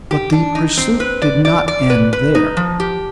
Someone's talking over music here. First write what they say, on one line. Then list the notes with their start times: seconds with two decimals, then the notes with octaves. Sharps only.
But the pursuit did not end there.
0.11 G4
0.32 D4
0.55 D#4
0.77 C4
1.00 B4
1.22 D5
1.45 D5
1.68 D5
1.90 B4
2.13 B4
2.35 D#4
2.57 F3
2.80 G4